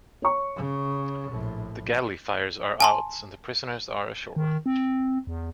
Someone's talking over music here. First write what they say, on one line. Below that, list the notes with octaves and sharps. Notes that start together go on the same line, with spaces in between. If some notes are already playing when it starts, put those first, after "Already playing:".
The galley fires are out and the prisoners are ashore.
C#5 C#6
C#3
A#1 A2
G#5 A5 C6
D#3
C4
E2